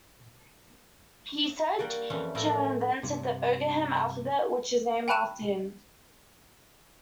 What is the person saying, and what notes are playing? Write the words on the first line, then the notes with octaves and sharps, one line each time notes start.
He is said to have invented the Ogham alphabet, which is named after him.
G3 A#3 F#4 D5
F2 E3 G3 C#4
A2 F3 E4 A#4
G2 C3
G5 G#5 B5 F#6 D#7 E7